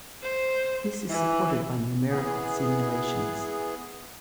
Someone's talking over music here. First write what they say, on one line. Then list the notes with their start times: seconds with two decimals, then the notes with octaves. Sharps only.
This is supported by numerical simulations.
0.23 C5
1.09 E3
2.10 E3 B3 G#4